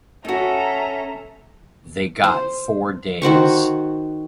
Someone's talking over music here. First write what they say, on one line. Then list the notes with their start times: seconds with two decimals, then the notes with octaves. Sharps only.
They got four days.
0.25 C#4 D#4 F#4 A4 E5 A#5
2.24 C5
3.22 D#3 F#4 C5 C#6